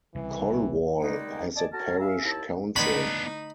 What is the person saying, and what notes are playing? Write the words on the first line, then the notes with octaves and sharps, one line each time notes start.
Colwall has a parish council.
C2 C#3 E3
D#3 G3 G#3 A#3 B3 D#4
D5 D#5 G#5 A5
F#4 A4 C#5 A5 A#5 F6
G#4 E5 F5
D#2 E4 A5
D3 A3 B3 D4 D#4 D5 B5